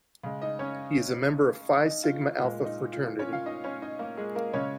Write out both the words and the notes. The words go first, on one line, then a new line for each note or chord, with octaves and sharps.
He is a member of Phi Sigma Alpha Fraternity.
C#3 G#3
D#4 D#5
C#4 C#5
D#4
F4
F4
A#2 G#3 F4
D#4
F4
F4
C#4 C#5
F4 F5
D#4 D#5
C#4 C#5
D#4 D#5
A#3 A#4
G#3 G#4
A#3 A#4
C#3 G#3 C#4 C#5